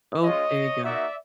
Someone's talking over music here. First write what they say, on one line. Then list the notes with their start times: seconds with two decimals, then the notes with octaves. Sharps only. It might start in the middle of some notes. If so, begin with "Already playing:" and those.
Oh, there you go.
0.24 G#3 C#4 F4 C#5 D#5
0.84 A#3 D#4 F#4 D5 E5